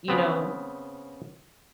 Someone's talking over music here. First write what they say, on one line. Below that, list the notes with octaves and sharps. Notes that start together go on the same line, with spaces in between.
you know
C#3 B3 C4